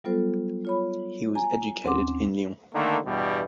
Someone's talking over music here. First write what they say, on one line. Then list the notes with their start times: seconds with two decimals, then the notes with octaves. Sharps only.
He was educated in Lyon.
0.04 F#3 G3 B3 F4 A4 C5
0.65 F4 C#5 B5
1.35 G#5 A#5
1.84 D#2 C4 C#4 F#5 C6 D6
2.74 D3 D#3 A3 A#3
3.06 E2 G2 B2 G3